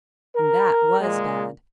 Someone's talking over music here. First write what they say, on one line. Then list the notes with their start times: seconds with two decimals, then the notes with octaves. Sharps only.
And that was bad.
0.35 A#4
1.01 A#2 G#3